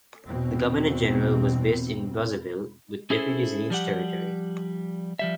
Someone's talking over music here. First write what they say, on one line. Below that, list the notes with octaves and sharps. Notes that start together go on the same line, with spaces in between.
The Governor-General was based in Brazzaville with deputies in each territory.
E2 B2 C4
C#4 E4 G#4 A4 C5
F3 G3 G4 F#5
F3 G3 E5